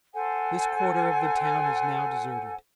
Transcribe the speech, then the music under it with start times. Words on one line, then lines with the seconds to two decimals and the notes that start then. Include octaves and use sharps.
This quarter of the town is now deserted.
0.14 A4 C5 F#5 G#5